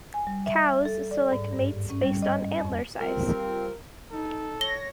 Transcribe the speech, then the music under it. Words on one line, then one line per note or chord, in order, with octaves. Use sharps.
Cows select mates based on antler size.
G#5
G3
E5
A4
D5
G#2
G2
C#4
G3
D#5
F2
G3 C4 F4 A#4
D#4 A4
C#5 A#6 G7